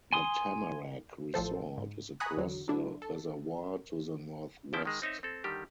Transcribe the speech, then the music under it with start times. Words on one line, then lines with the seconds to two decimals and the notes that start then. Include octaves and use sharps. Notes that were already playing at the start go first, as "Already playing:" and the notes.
The Tamarack Resort is across the reservoir to the northwest.
0.13 G#5 C6 D#6
1.34 A1 A2 F3 A4 C5
1.77 G#2
2.20 G#5 A#5 B5 C#6 D#6 F#6
2.36 G#1 E2 D3 F#3
2.68 F#3 D4 E4
3.02 A4
4.73 C#3 F3 E4 G5 A5
4.85 D#3 G#3
5.02 C4 D#4 C#5 E5
5.23 C4 A4
5.44 D3 D#3 G3 G4